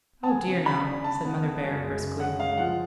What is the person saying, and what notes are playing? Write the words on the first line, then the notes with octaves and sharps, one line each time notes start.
"Oh dear, no," said Mother Bhaer, briskly.
A5
B3 G#5
C#3
C#3 B5
D4
C#3 A5
B3
B3
F#2
G#3
C#3
C#4 F#5
G#3 F5
F3 F#5